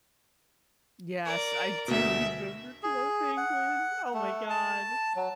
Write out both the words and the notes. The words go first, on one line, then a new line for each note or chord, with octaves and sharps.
Yes, I do remember Club Penguin, oh, my god.
A#4 D5
D2 B2 E5
G#4
F#5
A3
A5
F#3